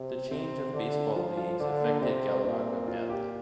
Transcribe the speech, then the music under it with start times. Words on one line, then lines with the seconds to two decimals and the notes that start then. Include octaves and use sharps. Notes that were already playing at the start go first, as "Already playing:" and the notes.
The change of baseball leagues affected Galarraga badly.
Already playing: C3
0.31 C3 C4
0.73 D3 D4
1.16 F3 F4
1.37 F4
1.60 D3 D4
1.81 A#3
2.02 C3 C4
2.45 A#2 C4
2.88 F4
3.09 G4